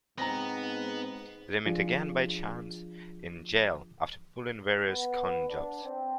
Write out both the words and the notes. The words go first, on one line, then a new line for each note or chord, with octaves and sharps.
They meet again by chance in jail after pulling various con jobs.
G#2 B3 C4 A#5 A#6
F3 D4 F4 G#4
B3
D4
C4